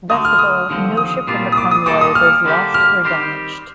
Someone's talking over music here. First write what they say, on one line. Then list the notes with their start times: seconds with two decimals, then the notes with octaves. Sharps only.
Best of all, no ship from the convoy was lost or damaged.
0.10 D2 D3 A3 D#6
0.25 F6
0.39 D#6
0.68 D#2 D3 F3 C4
0.97 D#6
1.27 C2 A#2 G3 D4 F4
1.52 D#6
1.57 D6
1.71 D#6
1.86 A#2 G3 A#3 D#4 A4 D6
2.01 D#6
2.15 F6
2.45 D3 G3 A#3 D4 G4
2.74 F6
3.04 D#3 G3 C4 G4